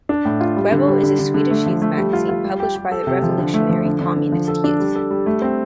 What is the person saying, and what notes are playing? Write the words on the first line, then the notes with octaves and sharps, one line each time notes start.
Rebell is a Swedish youth magazine published by the Revolutionary Communist Youth.
D4
A2
F4
G3
D3
G3
D3
D3
D3
A3
F3
A3
G3
F4
F4
G3
G4
G4
A4
C3
F3
D3
A3
F3
D3
D3
D3
F3
A4
D4
G3
A4
G3
A3
C4